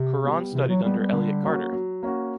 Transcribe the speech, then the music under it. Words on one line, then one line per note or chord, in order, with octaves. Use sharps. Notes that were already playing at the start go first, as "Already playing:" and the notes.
Curran studied under Elliot Carter.
Already playing: C3
G3 B3
C3 E3
F#3
G3 G#3 B3
G3
D3
F#3 A#3 C#4 F#4
F#3
A#3 C#4 F#4